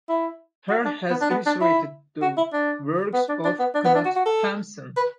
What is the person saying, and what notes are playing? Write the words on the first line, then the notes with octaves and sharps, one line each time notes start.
Harr has illustrated the works of Knut Hamsun.
E4
F#4
D4
B3
D4
B3
D4
E4
F#4
E4
D4
B3
D4
D4
B3
D4
B3
D4
F#4
F#4
A4
B4